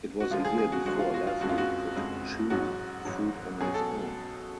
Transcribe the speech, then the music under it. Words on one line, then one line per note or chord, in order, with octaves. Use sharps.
It was a year before Leslie could chew food on his own.
F#4
D2 D3 F3 G#3 F4
G#4
G#4
F#4
D2 D3 F3 G#3 F#4
F4
F#4
F4
F#1 F2 C#3 G#3 F#4
F4
F#4
F#1 F2 C#3 G#3
A1 G#2 F#3 F#4
A1 G#2 F#3
C#2 B2 F#3 G#4
A4